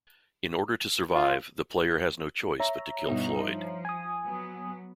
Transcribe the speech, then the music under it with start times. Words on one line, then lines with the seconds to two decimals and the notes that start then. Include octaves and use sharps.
In order to survive, the player has no choice but to kill Floyd.
1.14 F4
2.60 C#5 E5 A#5
3.06 G2 B2 D#4
3.40 F3
3.85 G#5 D#6
4.24 F#3 B3